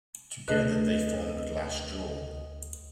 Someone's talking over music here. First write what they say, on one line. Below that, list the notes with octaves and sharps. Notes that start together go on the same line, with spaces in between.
Together they formed Glassjaw.
D2 A3 D4 G#4 B4 D#5 F#6